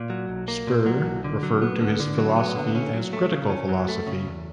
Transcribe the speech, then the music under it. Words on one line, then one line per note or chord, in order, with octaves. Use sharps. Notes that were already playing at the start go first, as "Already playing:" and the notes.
Spir referred to his philosophy as "critical philosophy".
Already playing: A#2
F#3
B1
A#3
A#2
F#3
B1
D3
F#3
B3
D3
D3
F#3
B3
D3
C#4
F#3
A3
C#3
C#4
F#3
A3
C#3
E2